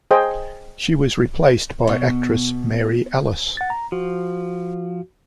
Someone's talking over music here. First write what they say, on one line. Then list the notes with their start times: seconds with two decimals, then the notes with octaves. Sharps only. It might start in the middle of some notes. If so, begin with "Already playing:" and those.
She was replaced by actress Mary Alice.
0.11 G#4 C5 D#5 G5
1.87 B2
3.57 F#5 A6
3.70 A#5
3.92 F3 F#4